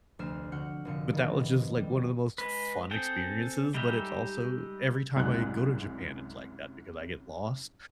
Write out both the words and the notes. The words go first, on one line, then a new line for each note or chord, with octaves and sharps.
but that was just, like, one of the most fun experiences, but it's also, every time I go to Japan, it's, like, that because I get lost,
F1 D2 A3 F6 C7 E7
D3 F#4 F#5 F6 G6 C#7
F1 A#2 D3 F5 C#7
D#3 G3 B3 C4
G3
G#3 B4
C4 G#4 A4 G5
G3 G#3 D#4 G4 E5
C2 F#2 G#3 F#6